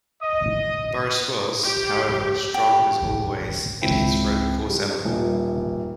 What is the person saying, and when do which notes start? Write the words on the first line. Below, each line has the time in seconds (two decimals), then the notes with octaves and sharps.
Boris was, however, strong as always in his road course element.
0.21 D#5 D#6
1.64 G4
2.54 G4
3.82 C#2 C4 E4 G5
4.70 G3
5.05 D#1